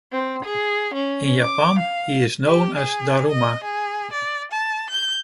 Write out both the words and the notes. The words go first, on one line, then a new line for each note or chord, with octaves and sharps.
In Japan, he is known as Daruma.
C4
G#4
C#4
D6
F5
G4
G#4
D#5
G#4
D5
A5
G6